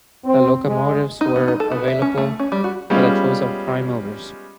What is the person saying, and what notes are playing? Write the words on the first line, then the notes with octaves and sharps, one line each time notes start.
The locomotives were available with a choice of prime movers.
C4
G#3
D#4
B3
D#4
A4
B3
E5
C#4
A3
C#4
G3
F#4
G3 G#3 B3 C#4 F4